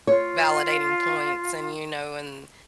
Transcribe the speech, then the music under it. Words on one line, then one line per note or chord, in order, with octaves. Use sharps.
validating points, and, you know, and
F4 C#5